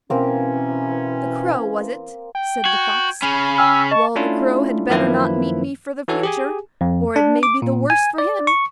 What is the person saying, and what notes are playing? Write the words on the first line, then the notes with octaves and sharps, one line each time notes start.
'The crow was it?' said the fox, 'well, the crow had better not meet me for the future, or it may be the worse for him.'
B2 E3 A#3 C4 C#4 A#4
G5
F#4 G#6
C#3 C#4 B5
G5 G#5 E6 F6
D#5 A5 C#6
A3 C#4 D4 E4 F4
F#2 D#3 F3 A#3 E4 B4
E3 F#4 A4 C#5
G4 G#4 G#5
F2
D4
D6
A#2
G#5
D5
C#6